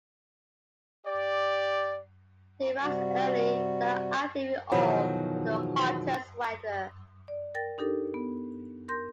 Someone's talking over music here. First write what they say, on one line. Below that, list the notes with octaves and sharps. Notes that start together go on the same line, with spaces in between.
They rise early and are active in all but the hottest weather.
G4 D5
C3 G3 F#4
E2 B2 D#3 F3 F#3
D5
A#4 G5 A6 A#6
D4 D#4 G4 A4 A#4
B3
A#4 C6 G6 A#6